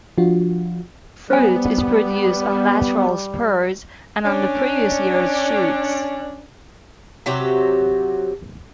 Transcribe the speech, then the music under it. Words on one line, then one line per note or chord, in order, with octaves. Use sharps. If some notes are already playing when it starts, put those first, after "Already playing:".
Fruit is produced on lateral spurs and on the previous year's shoots.
F3 D4 F4 F#4
G3 B3 C5 G#5
C#4 D4
C3 F#3 F#4 G4